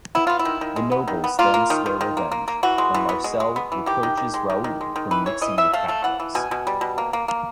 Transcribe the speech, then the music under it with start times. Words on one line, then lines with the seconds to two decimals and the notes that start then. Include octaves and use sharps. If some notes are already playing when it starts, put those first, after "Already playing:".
The nobles then swear revenge, and Marcel reproaches Raoul for mixing with Catholics.
0.15 B3 E4
0.27 B3 F4
0.39 E4
0.45 D#3
0.61 D#3
0.76 G#3
0.92 B3
1.08 D#3
1.24 B3
1.39 A#3 F4
1.54 A#3
1.70 D#3
1.86 D#3
2.01 D#3
2.17 A#3
2.32 A#3
2.48 A#3
2.63 E3 F#4
2.78 G#3
2.94 E3
3.09 B3
3.24 G#3
3.40 G#3
3.56 B3
3.72 E3
3.86 D#3 G4
4.03 D#3
4.17 D#3
4.34 G#3
4.50 D#3
4.64 D#3
4.81 G#3
4.96 D#3
5.11 E3 B4
5.26 E3 C#5
5.41 E3 D#5
5.58 E3 E5
5.73 A3 F5
5.88 A3 F5
6.04 E3 F#5
6.20 E3
6.35 B2 G#5
6.51 B2
6.67 G3
6.81 B2
6.98 A#3
7.13 A#3
7.28 A#3